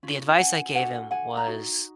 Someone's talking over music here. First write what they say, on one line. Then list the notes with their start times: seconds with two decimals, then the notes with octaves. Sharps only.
the advice I gave him was,
0.03 C#4 F4
0.39 F#5 G#5
0.75 D4 F#4 A4 F#5 G#5
1.11 F#5 G#5
1.37 A#5
1.47 D#4 F#4